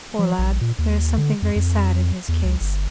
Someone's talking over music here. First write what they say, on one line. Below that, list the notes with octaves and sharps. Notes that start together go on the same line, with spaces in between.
Poor lad, there is something very sad in his case.
F3
A#1
A#2
D#2
D3
F2
F2
E2
C#2
G1